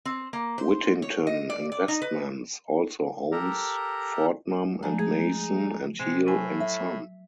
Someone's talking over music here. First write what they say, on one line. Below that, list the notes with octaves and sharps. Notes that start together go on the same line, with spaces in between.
Wittington Investments also owns Fortnum and Mason and Heal and Son.
C4
A#3
C5
C#5
D#5
D5
D5
D#4
B4
G4 A4 A#4 A#5
F3 G#3 A3 D4 D#4
G#4 G#6
C3 G#3
A2 F#3 G#5
E5